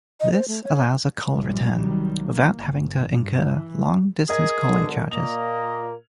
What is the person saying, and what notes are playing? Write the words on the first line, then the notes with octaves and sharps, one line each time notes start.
This allows a call return without having to incur long distance calling charges.
D#5
C5
A3
C#5
A#1 F#2 A2 F3 G3
C2 D#3 F#3 G3
A#3
G1
G2
E3
G#4 A#4 D#5 G#6
B1 G#2 D3
A#2 A#3 D#5 F7